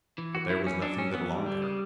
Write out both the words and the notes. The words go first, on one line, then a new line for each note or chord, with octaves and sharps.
But there was nothing that alarmed her.
E3
F#4
F#3 E4
C#4
E3
F#3 D4
C#4
E3 B3
G3
D3
C#3